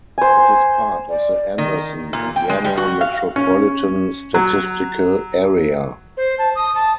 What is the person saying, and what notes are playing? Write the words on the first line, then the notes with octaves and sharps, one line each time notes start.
It is part of the Anderson, Indiana Metropolitan Statistical Area.
C5 G#5
D5
D#3
A#2
G5
G#3
G3
F#4
F5
C#4
F#3
C5
A5
D#6
A5